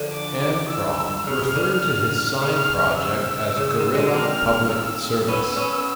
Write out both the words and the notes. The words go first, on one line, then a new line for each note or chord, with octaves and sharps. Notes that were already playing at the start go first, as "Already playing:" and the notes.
Ankrom referred to his sign project as "Guerilla Public Service".
Already playing: D3 F3
D6
E6
C#3 F6
D3
C#3 F6
E6
C#3
D#3
F#3 G#3
A#3 C4 F6
E6
B3 C#4 E6
B3 C#4